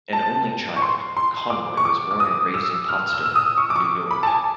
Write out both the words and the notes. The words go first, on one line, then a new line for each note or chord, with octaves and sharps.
An only child, Conroy was born and raised in Potsdam, New York.
A5
C#6
C6
C6
D6
C#6
D6
D6
D#6
E6
F6
E6
E6
D#6
C#6
D6
C#6
B5
A5
G#5